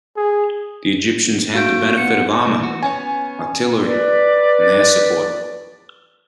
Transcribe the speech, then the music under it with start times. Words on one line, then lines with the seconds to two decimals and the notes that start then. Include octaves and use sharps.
The Egyptians had the benefit of armor, artillery and air support.
0.17 G#4
1.54 A#3 F#4 G6 D7
1.98 B3 C#7
2.46 C2 A#2
2.59 E3 F#4
2.83 B3 C#4 C#5 G#5
3.86 B4 D5